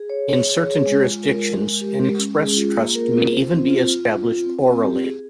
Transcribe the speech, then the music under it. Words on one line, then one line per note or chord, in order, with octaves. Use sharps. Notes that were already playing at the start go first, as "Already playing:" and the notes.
In certain jurisdictions, an express trust may even be established orally.
Already playing: G#4
C#5
C#5
G#4
G#4
G#3
F4
A#4
A#4
G#3
G4
G#3
C#4
G#4
F4
A#3
A#4
F4
C5
C4
F4
F4
F4
F4
C4
C4
G4
G#4